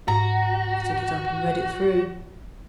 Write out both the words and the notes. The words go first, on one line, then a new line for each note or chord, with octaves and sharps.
He took it up and read it through.
G#2 F#4 A#5